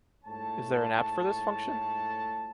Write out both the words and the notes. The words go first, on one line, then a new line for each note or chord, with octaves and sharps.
Is there an app for this function?
G#2 A3 E4 F4 C#5 A5